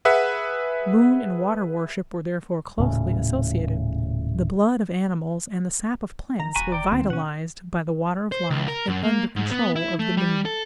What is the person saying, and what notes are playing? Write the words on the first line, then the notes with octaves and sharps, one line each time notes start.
Moon and water worship were therefore closely associated; the blood of animals and the sap of plants were vitalized by the water of life and under control of the moon.
G#4 B4 E5 F#5
D#1 A2 C#3
D#3 A#5
E1 F#4 G#5 B5
D5 G5
D#2 C4
B2 C#4 F#5
C5
C#2
A#4
F#2
A#3
G#2
B3
E4
A3
G3
A4